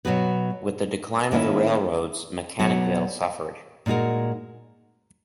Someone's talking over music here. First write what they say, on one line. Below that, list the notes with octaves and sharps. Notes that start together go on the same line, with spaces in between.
With the decline of the railroads, Mechanicville suffered.
B2 F#3 B3 F#4 B4
D#3 A#3 C#4 E4
B2 F#3 B3 F#4
A#2 G#3 D#4 F#4 A#4